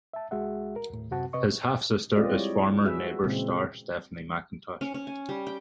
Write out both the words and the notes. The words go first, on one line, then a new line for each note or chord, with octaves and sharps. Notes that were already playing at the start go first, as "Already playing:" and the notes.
His half-sister is former "Neighbours" star Stephanie McIntosh.
E5 A5
C2 G#3 F#4 G#4 E5 F#5
A#4
D#2 A2
F#2 C3 C4 F#4 F#5 A5
C3 B4 D#5 C#6
G#3 C4 F4 G4 D5 D#5
G3 E4 C#5
F#4 G#4 B4 E5 F#5
A#2 C#3 E3 G#3 C4
C#4
C#4
G#5
G3
G5